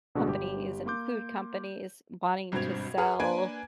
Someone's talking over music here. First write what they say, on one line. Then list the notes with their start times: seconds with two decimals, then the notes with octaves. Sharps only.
companies, and food companies wanting to sell
0.15 A1 B2 D3 G#3 D4 F#4
0.27 G1 G3 G4
0.86 A#3 C6 D6 G6
2.52 G#1 G2 B2 C4 G#6 F7
2.98 G#4 B4 F#5 F6
3.19 A#3 D4 B4 G#5 G#6 D7